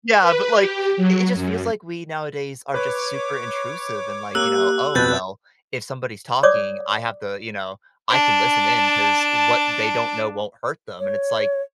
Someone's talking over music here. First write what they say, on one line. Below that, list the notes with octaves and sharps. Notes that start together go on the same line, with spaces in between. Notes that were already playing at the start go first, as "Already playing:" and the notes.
Yeah, but like, it it just feels like we nowadays are just super intrusive and like, you know, "Oh well, if somebody's talking, I have the you know, I can listen in 'cause what they don't know won't hurt them" and it's like,
B4
G4
F#3
F#2
B4 C#5 D6
A#3 G4 E6 F#6 F#7
F2 B2 B4 G6 A6
C#5 D5 D6 D#6
D4 A5
C#5